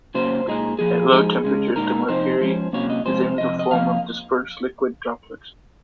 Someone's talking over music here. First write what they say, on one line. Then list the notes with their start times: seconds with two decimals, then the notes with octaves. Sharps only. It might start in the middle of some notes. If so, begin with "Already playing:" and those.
At low temperatures the mercury is in the form of dispersed liquid droplets.
0.14 C#3 F#3 A#3 C#4 C5
0.47 A#2 G#3 D#4
0.79 A#2 F3 G#4
1.12 F3 G#3 D#4
1.44 C#3 G#3 C#4
1.76 A#2 G#3 D#4 A#4
2.09 C3 F3 C4 D#4 C5
2.41 F3 G#3 C#4
2.73 C3 F#3 A#3 C#4 C#5
2.90 D#5
3.06 C3 F3 G#3 C5
3.38 C3 F3 D#5
3.59 D#5
3.71 C3 F3 A#3 F5